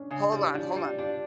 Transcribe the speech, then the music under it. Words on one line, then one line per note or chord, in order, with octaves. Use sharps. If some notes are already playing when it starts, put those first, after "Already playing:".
Hold on, hold on.
Already playing: C#4 D4
C#3 D4
G3 E4
D4 F4
G3 F4
D4 F4